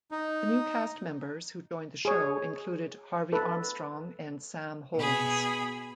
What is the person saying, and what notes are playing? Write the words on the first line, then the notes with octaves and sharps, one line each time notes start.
The new cast members who joined the show included Harvey Armstrong and Sam Holmes.
D#4
G#4 C#5
A4 B4
B2 G#4 B5